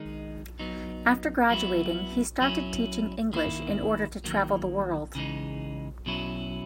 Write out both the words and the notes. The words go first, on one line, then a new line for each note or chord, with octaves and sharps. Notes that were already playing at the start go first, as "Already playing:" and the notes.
After graduating he started teaching English in order to travel the world.
Already playing: D#3 G#3 D#4
F#3 B3 D#4
F#3 B3 E4
F#3 C#4 E4
D#3 A#3 E4
D#3 F#3 A#3
C#3 E3 G#3 D#4
B2 F#3 C#4 E4